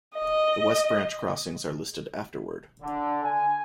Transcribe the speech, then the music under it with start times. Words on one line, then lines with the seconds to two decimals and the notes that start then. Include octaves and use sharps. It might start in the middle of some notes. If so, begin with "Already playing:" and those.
The West Branch crossings are listed afterward.
0.14 D#5
2.82 D3
3.24 G#5